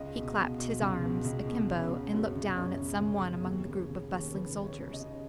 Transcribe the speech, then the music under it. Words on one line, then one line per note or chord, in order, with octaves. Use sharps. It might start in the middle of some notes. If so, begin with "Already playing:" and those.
He clapped his arms akimbo and looked down at some one among the group of bustling soldiers.
Already playing: C#2 D#5
B2
B2
B2
C#2
B2
C#2
B2
C#3
C#3
F#2
C#3
F#2 C#5
C#3
C#3
C#3
D#2
C#3
C#3
D#2
C#3 B4
C#3
C#5
C#3
D#5
C#3